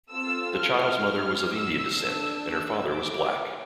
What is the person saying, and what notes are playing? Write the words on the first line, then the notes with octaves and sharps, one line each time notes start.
The child's mother was of Indian descent and her father was black.
C4 F4 A4 E6
F6
E6
D4 A4
E6
D6